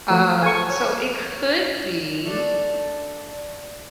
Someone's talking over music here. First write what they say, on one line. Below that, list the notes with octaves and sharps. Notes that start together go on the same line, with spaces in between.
uh, so it could be,
F3 A3
A4 C5 G#5 C#6
C#5 G#6
A3 D4